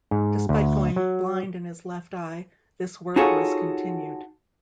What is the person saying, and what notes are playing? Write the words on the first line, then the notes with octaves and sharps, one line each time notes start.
Despite going blind in his left eye, this work was continued.
G#2
D2
F#3
D#4 F4 F#4 G#4 A4 C#5